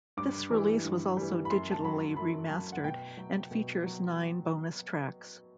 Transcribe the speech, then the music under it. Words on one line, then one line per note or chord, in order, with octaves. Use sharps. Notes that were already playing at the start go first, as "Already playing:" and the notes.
This release was also digitally remastered, and features nine bonus tracks.
G2 D6
E3 G3
G2
E3 G3
B5
F#2 C6
A5
F#3 B5
F#2 B5
F#3 A5
F#5
B2 G5
F#3
B2
F#3